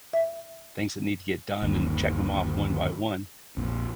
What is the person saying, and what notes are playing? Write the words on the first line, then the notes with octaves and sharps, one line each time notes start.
things that need to get done and check 'em off one by one
E5
G1 D#2 D#3
A#1 F2